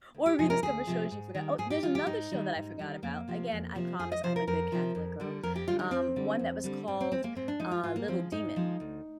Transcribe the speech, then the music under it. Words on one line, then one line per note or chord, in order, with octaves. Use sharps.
Or rediscover shows you forgot, oh, there's another show that I forgot about, again, I promise I'm a good Catholic girl, um, one that was called, uh, Little Demon.
D2
G4
C3 F3 G#3 G#4
A#4
D2 G#4
C3 F3 G#3
G#2
D#3 G3
G#2 G#4
G4
D#3 G3 F4
G4
G#2 D#4
D#3 G3
G#2
D#3 G3
F2 A#3
C3 F3
F2
C3 F3
F2 G#4
D#5
C3 F3 C5
A#4
F2 A#4
C3 F3
F2
D3 G3
F2 A#4
G4
D3 G3 F4
D#4
F2 C4
D3 G3
F2
D3 G3
G#2 C4
C4
F3 G#3 C4
A#3
G#2 C4
D4
F3 G#3 D#4
F4
G#2 F4
A#3
F3 G#3 C4
G#2 D#4
F3 G#3
D2